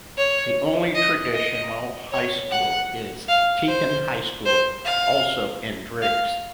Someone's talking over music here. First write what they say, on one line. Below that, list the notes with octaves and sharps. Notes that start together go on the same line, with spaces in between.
The only traditional high school is Teton High School, also in Driggs.
C#5
D#5
D#5
C#5
F#5
F5
C5
C5
F5
F5